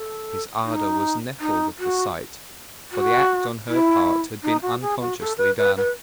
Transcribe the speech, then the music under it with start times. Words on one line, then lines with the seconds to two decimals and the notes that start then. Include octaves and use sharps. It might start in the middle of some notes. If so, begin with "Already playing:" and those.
His ardour was nettled at the sight, for the act on her part had been unconsciously done.
Already playing: A4
0.65 D#4
1.40 D#4
1.79 F#4
2.92 F#4
3.68 E4
4.43 D#4
4.62 F#4
4.81 G#4
5.01 F#4
5.19 A4
5.38 B4
5.58 B4
5.77 B4